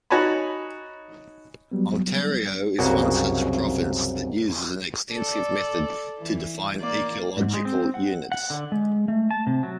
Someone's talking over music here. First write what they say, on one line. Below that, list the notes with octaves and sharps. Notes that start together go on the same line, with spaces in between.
Ontario is one such province that uses an extensive method to define ecological units.
D#4 F#4 C#5 G#5 A5 B5
F#3 G3 B3
C2 F#2 C#3 A#3 F#4
A4 D5
E3
A#3 D5
G#2
G#3
C4
F#5
F#5
D3
G#3
A3
A5
C3
F#3